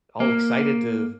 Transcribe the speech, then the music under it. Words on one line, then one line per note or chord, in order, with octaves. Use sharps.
all excited to
A#3